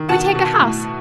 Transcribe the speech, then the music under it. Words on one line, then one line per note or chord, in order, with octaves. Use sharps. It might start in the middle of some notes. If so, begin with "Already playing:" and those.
We take a house.
Already playing: D#3
B2 F#5 A5
B2
A2